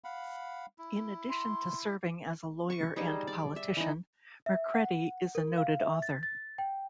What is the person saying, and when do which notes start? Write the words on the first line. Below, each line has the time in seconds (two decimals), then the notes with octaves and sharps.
In addition to serving as a lawyer and politician, Mercredi is a noted author.
0.04 F5 F#5 B5
0.78 E4
1.30 C6
2.70 C#6
2.96 G3 D#4 G#4 C5
3.27 D5
3.56 E5
3.77 E3 D#4
4.46 E5
4.74 F#5
5.35 A#4
5.58 F5
5.80 E5
6.02 A6
6.23 A6
6.58 G5